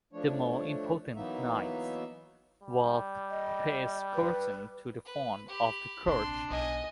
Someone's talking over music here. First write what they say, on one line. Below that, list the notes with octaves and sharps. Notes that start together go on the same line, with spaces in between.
The more important knights were placed closer to the front of the church.
F3 A3 D4 C#5
E3 F#3 A#3 B3 D#4 E5
G3
D#5
B4
B4
G4 B5
A#1 C3 D4 C6
B1 D#5 G#5